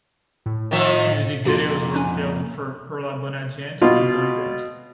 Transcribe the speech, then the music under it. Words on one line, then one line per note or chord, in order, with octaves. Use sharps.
Music videos were filmed for "Per la bona gent" and "Boy Band".
A2
D#3 F3 E5
F2 A#2 F4 F#4 A6
C#4 G#5 F#6
B2 F4